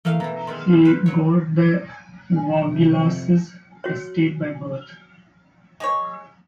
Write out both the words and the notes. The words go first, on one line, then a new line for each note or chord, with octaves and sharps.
She got the Vaugelas's estate, by birth.
E3 A3 A#3 F5
B2 E3 A#5
B2 D#3 G#3 C6
B4
F#3 C#5
F2 C3
F#4 C#5
G#3 G#4 C#5